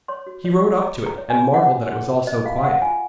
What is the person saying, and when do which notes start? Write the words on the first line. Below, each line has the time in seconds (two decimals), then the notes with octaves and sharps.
He rode up to it, and marvelled that it was all so quiet.
0.08 C#5 C6
0.27 F#4
0.45 C#5
0.63 F#4
0.82 C#5 A#5
0.99 F#4
1.06 A#5
1.18 C#5
1.30 G#5
1.37 F#4
1.54 C#5 F#5
1.73 F#4
1.91 C#5
2.09 F#4
2.27 C5 D#5
2.46 F4 F5
2.58 F5
2.63 C5 F#5
2.82 F4 G#5